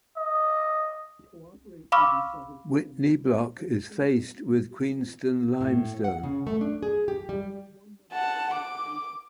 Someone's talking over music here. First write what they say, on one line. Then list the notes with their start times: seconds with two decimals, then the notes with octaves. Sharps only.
Whitney Block is faced with Queenston limestone.
0.17 D#5
1.92 F5 B5 C#6 D6 E6 F6
5.61 A2
6.04 F#5
6.23 C#3
6.47 A3
6.61 D4
6.83 G#4
7.08 G4
7.29 G3
8.13 F#5 A5
8.53 D6